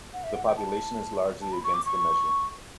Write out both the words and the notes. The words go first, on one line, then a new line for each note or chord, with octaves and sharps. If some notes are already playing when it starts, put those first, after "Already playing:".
The population is largely against the measure.
F#5
E5
F#5
G5
A5
A5
B5
C#6
D6
C#6